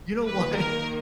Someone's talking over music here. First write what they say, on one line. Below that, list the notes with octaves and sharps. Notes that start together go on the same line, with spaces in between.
You know what?
D#3 A#3 B4
A#4